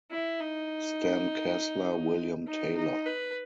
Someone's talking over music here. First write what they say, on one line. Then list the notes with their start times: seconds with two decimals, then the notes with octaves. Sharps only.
Stan Kesler - William Taylor.
0.11 E4
0.40 D#4
2.47 D#4
2.76 D#4
3.06 B4